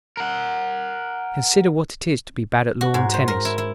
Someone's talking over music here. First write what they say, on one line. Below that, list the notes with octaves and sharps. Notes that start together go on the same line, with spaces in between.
Consider what it is to be bad at lawn tennis.
A#4 F#5
F#4
G#2
C5
A#4
E4
E4